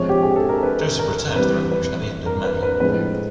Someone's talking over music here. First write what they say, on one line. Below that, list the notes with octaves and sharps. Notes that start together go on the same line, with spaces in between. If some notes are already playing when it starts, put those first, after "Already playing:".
Joseph returned to the Revolution at the end of May.
Already playing: C3 F3 G#3 C#5
G4
G#4
A4
A#4
B4
A#4
C3 E3 G3 B4
B4
A#4
B4
B4
A2 F3 G#3 B4